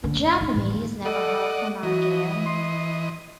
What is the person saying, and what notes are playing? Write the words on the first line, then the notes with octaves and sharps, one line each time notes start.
The Japanese never heard from her again.
D3
F1
D#4
A1
D#2
A4 D5 D#5 F#5
E3 F#4 D#5
C6